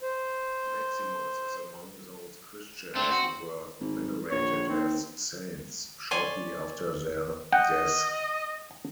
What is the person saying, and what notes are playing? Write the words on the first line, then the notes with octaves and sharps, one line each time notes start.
Maximus is among those Christians who were venerated as saints shortly after their deaths.
C5
A3 C4 D4
F#4
G#1
A#1 C#5
D#2 C4
C#5 D5 G#5 C6
D#5 F#5 G5